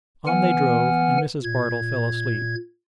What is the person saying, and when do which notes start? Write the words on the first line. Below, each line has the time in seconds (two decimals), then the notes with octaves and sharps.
On they drove, and Mrs. Bardell fell asleep.
0.27 E3 B3 F#5 G#5 F6
1.44 A#2 G#6